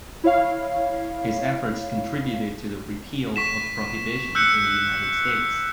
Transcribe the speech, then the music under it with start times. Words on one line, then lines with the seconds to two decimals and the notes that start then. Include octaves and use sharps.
His efforts contributed to the repeal of prohibition in the United States.
0.24 E4 C#5 F5
3.36 C#6 B6 E7
4.35 E6 F#6 G6 C#7